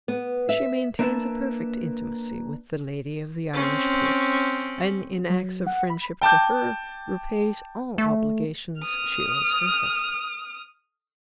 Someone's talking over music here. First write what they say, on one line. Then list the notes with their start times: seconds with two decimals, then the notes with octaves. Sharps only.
She maintains a perfect intimacy with the lady of the Irish peer; and in acts of friendship to her repays all obligations she owes her husband.
0.08 B3
0.49 E5
0.99 A#3 D4 B4 E5 A5
3.53 C4 C#4
5.30 F#3
5.67 F#5
5.90 B5
6.22 G5 A5 D6 G6
7.98 A3
8.81 D#6 F6